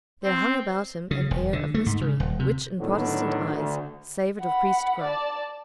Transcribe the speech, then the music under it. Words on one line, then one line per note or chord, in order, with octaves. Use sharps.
There hung about him an air of mystery, which, in Protestant eyes, savoured of priestcraft.
C4
C#3
E1
D3
A3
G#2
C#3
D#1
C3
A2 D3 D#3 F#3 B3
D2
F#5 B5
D5 A5